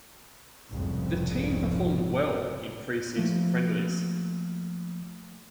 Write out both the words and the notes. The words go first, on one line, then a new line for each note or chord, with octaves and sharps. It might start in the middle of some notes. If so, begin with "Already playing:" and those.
The team performed well in pre-season friendlies.
F1 C2 F2 G#2 C#3 F3
F3 A3 A#3